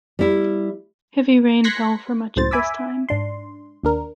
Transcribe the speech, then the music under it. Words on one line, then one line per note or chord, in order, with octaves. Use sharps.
Heavy rain fell for much of this time.
G3 E4
C6 F#6 G#6 A#6 B6 C#7
C#2 F#2 A2 C5 A6
E5 G#5 B5 D6 E6
G#2 D4 C6
D#2 D4 A#4